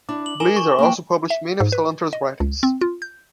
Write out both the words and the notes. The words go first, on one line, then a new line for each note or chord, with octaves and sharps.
Blazer also published many of Salanter's writings.
D4 E4 D6
F#7
A#4 G#5 E7 G7
C#6
A#3 B4 G5
E5
G#2
B4
D#5
C#2
C4
F4
G6